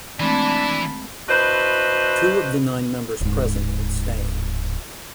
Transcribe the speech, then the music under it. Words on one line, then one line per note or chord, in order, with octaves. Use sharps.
Two of the nine members present abstained.
E3 G#3 A3 C4 D4 E4 A5 B5
D4 E4 F#4 B4 C5 D#5
D1 G#2